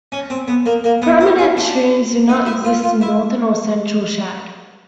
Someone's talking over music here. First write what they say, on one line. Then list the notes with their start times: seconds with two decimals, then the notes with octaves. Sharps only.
Permanent streams do not exist in northern or central Chad.
0.12 C#4
0.30 C4
0.48 B3
0.66 A#3
0.84 A#3
1.02 B3
1.21 C4
1.39 C#4
1.57 D4
2.29 D#4
2.46 E4
2.65 F4
2.83 F4
3.01 E4